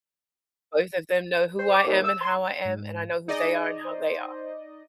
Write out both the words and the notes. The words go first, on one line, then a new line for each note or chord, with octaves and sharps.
Both of them know who I am and how I am, and I know who they are and how they are.
C5
D6
D#2
E6
C6
G#2
D#4 G#4 D5 D#5
C5